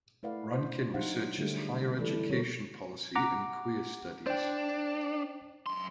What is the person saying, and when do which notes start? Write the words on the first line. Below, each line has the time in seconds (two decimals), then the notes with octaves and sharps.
Rankin researches higher education policy and queer studies.
0.23 A3 E4 B4 D5 F5 F#5
0.53 C5
0.94 F#3 D4 D#4 C5 F5 F#5
1.38 D3 G3 A3 D4 F4 G#4
1.99 E3 G3 A3 A4 B4 D5
2.29 D3 F3 G3 C4 A#4 C#5
3.16 F#5 A#5 D6
4.26 D4 C5 G5
5.66 F#2 C6